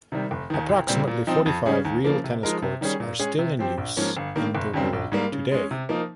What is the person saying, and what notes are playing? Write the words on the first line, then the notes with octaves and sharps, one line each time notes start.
Approximately forty-five real tennis courts are still in use in the world today.
C3 D#3 G3
F1
D#2 D#3
C2
A#2 G3 C4
A#2
F3 C4 D#4
F2
C#3 G3 C#4 G#4
D#2
C#3 F3 A#3
C3
F3 G#3 D#4 A#4
C3
D#3 G3 C#4 G#4
A#2
G#3 C#4 G#4
C3
F3 C4 G4 C5
A#1
G#2 F3 A#3 C#4
G1
G2 D#3 A#3
F1
D#2 C#3 G3 C4
A#1
G#2 G3 A#3
C#3
G#3 C#4
C3
F3 A#3 D#4